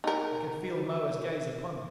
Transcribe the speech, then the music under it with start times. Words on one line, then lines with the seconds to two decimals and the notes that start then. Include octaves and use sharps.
I could feel Moa's gaze upon me.
0.04 D#4 A#4